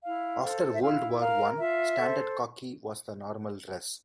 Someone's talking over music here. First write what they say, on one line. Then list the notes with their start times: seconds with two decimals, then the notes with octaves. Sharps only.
After World War One standard khaki was the normal dress.
0.04 E4 F5
0.43 A4 C5
0.75 E5
0.82 E4 F5
1.20 A#4 F5
1.59 F4 E5
1.98 A4 C5